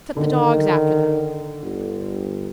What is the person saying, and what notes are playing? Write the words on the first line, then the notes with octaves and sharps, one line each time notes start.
'Set the dogs after them.'
D3 D#3
G1